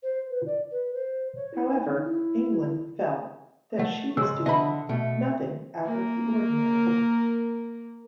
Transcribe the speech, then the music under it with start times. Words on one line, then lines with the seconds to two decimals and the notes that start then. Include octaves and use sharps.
However, England felt that she was doing "nothing out of the ordinary".
0.03 C5
0.30 B4
0.46 D5
0.71 B4
0.94 C5
1.36 C#5
1.54 E4
1.69 D#4
2.05 E4
3.79 A3 F#5
4.17 G#2 C#3 C6 E6
4.46 D3 D#5 E5 B5
4.89 B2 A3
5.85 A#3 A#4